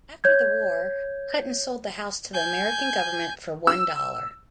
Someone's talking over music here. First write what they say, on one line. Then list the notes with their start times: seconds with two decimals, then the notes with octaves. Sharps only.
After the war, Hutton sold the house to the American government for one dollar.
0.24 C#5 G6 G#6
2.33 G#5 G6
3.67 E6